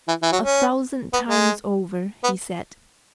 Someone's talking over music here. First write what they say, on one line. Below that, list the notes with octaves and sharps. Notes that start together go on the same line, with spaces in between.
"A thousand times over," he said.
E3
E3
F#3
C#4
B3
G#3
B3